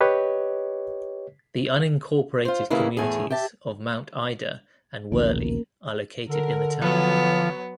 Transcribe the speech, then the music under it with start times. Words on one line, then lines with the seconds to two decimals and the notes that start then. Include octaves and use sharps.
The unincorporated communities of Mount Ida and Werley are located in the town.
0.01 G4 B4 C#5 D#5
2.45 F4 C5
2.70 D#2 C#3 E3 A#3 E4
2.97 E2 A2 G#4
3.30 G4 E5 A5
5.12 A#1 D#2 B2 A#3 C#4 A#4
6.28 D3 A#4
6.82 F3 F#3 B3